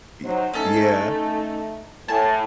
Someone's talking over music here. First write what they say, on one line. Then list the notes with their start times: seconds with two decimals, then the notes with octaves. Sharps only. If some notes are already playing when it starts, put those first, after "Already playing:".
Y yeah.
0.24 F#3 D#4 C5
0.53 A3 C#4 D#4 A4
2.08 A2 G#5 A5